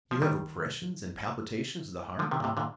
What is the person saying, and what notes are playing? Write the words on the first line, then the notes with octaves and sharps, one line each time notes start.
You have oppressions and palpitations of the heart?
F3
D#3 G3
D3 F3
C3 D#3
A#2
A2 C3
A#2 D3